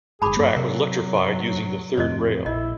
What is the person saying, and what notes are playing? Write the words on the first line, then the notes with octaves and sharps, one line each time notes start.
The track was electrified using the third rail.
G1 G#2 G#4 A5 B5 D6
G2 F#3 A#3
C3 A#4
F2 A2 C3 C5 D#5
A#1 E4 D#5